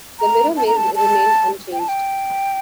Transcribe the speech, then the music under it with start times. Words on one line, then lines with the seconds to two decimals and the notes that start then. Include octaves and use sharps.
The Mirror Maze remained unchanged.
0.20 A#5
0.57 A5
0.67 A#5
0.77 A5
0.96 A5
1.73 G5
1.79 A5
1.88 G5